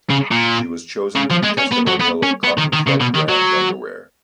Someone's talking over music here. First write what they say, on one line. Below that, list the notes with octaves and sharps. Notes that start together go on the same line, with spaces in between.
She was chosen to be testimonial of "Cotton Club" brand underwear.
C#3
A#2
C#3
F3
G#3
C#4
B3
F#3
B3
C#4
B3
D#3
D#3
C#3
B2
D#3
F#3